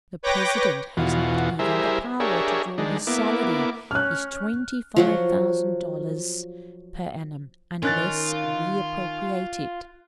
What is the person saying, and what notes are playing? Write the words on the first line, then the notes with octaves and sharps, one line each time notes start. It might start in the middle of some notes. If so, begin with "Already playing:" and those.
The President has not even the power to draw his salary--his twenty-five thousand dollars per annum--unless we appropriate it.
B4 C#5 G5 D6 A#6
E2 B2 E3 F4 F#4
G3 E4 G#4 A#4 C5 E5
D4 G4 G#4 A#4 C#5 E5
D#3 G#3 D4
A#3 B3 E4 D6
C#4 F6 F#6
F3 F#3 F#4
D#3 C#4 F4 F#6 A6